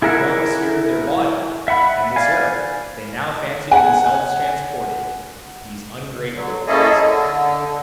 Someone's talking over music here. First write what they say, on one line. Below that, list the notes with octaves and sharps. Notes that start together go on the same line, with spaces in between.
Beyond the sphere of their body and this earth they now fancied themselves transported, these ungrateful ones.
E4 G#4 A#4 E5 F#5
E5 F#5 B5
D5 F5 G#5
F#5 G#5
D3 F#3
A#3 C#4 E4 G#4 A4 D#5
D3